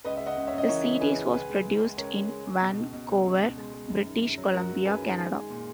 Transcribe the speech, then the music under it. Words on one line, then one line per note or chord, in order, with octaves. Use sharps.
The series was produced in Vancouver, British Columbia, Canada.
C#2 B4 D#5
C#3 E5
D#5 F#5
C#2
C#5 E5
C#2 D#5
E3 A#4 C#5
E3
C#3 G#4 B4
C#2
C#2 G#4 B4
G#3
G#3
G#3
C#2 A#4 C#5
G#3
G#3
G#3
B2
C#2
B2
C#2
C#2
B2
G#3
G#3
F#2
D#3
F#2
F#3
F#2 F#4 A#4
F#3
F#2 G#4 B4
D#3
G#3 G#4
G#3
A#2